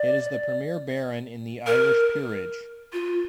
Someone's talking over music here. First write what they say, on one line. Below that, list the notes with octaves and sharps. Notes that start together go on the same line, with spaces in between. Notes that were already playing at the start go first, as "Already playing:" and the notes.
It is the premier baron in the Irish peerage.
Already playing: D5
A#4
F4